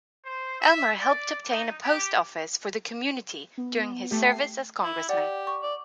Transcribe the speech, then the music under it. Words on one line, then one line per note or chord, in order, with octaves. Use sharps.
Elmer helped obtain a post office for the community during his service as Congressman.
C5
E5
D5
D#4
G4
B3
A3 G4
C7
E4
G4 D5 F#5
C#6
D5